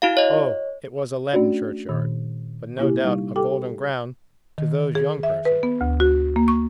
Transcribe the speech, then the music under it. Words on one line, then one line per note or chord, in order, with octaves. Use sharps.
O it was a leaden churchyard, but no doubt a golden ground to those young persons!
E4 F#4 F5
C#5 D#5
A3 C#4 D4 F#4 D5
A#2 D#3
C3 A#3 E4 G4
G3 D#4
G4 A4 G5 D6
D#3
G#4
E5
B4
B3
D2
F#4
A#3
C#6